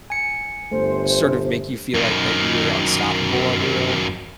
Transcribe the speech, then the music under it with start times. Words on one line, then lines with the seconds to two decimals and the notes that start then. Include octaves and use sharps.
sort of make you feel like that you're unstoppable on your own,
0.10 G#5 C#7
0.72 G1 A3 C5
1.95 F#2 D#3